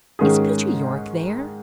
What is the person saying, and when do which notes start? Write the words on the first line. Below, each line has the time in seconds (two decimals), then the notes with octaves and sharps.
"Is Mr. Yorke there?"
0.19 G#2 D#3 G#3 C#4 G#4